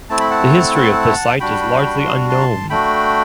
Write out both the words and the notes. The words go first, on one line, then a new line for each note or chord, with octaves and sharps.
The history of this site is largely unknown.
A3 C4 E4 A5
B5
F#5 A5
F#5 A5
G3 D4 F#4 G5 B5
C6
A5 C6
A3 D4 F#4 G5 B5